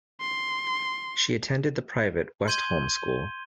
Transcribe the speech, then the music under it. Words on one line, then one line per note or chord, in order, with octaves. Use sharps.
She attended the private Westholme School.
C6
C6 G6 G#6 D#7 G7